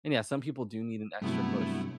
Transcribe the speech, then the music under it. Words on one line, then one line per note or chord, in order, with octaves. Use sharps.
And, yeah, some people do need an extra push,
G2 C3 F#3 A3 B3 E4